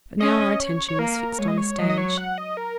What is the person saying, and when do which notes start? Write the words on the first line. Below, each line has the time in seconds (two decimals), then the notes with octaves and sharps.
But now our attention was fixed on the stage.
0.20 C#4 D#5
0.60 C#5
0.88 C#5
0.99 A#3 A#4
1.38 G#3 C#5
1.48 D#5
1.58 C#5
1.78 F#3 D#5
1.89 D#5
1.98 C#5
2.17 F#5
2.38 D#5
2.57 A#4